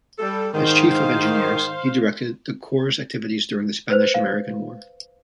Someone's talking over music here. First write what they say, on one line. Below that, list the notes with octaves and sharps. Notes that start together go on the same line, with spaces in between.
As Chief of Engineers, he directed the Corps' activities during the Spanish-American War.
G3 A4
G#2 D#3 C5 F5
B4 C5
F5